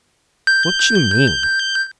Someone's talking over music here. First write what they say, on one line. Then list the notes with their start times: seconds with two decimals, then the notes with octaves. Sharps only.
"What you mean?"
0.47 G6